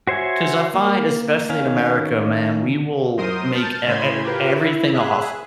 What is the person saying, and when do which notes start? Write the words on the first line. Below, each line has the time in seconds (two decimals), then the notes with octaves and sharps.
'Cause I find, especially in America, man, we will make e e everything a hustle.
0.07 F#4 C5 C#5 E5 G#5
0.74 A#3
1.49 D#3 C#4 F5
3.17 F#2 A#4 C5 C6 D#6
3.52 A5 F6 G6 A6
3.86 A2 C#3 C5 B5 C6 G#6
4.24 F4 G4 A#4 B4
4.55 E4
4.93 G#4 E5 F#6